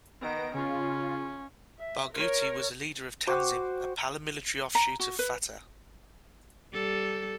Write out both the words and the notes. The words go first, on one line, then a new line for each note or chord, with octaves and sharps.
Barghouti was a leader of Tanzim, a paramilitary offshoot of Fatah.
D#3 B3 A#6 D7
C#3 C#4 F4
E5
A#4 C#5
F#4 C5 G5 D6
A#5
F#4
B4
G3 A4